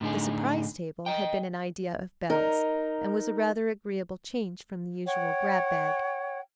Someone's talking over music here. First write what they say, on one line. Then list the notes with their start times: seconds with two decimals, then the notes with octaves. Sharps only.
The "surprise table" had been an idea of Belle's, and was a rather agreeable change from the usual grab-bag.
0.01 A2 D3 D#4 G#4
1.06 D#5 G5
2.30 D#4 A#4
5.06 C#5 F#5 G5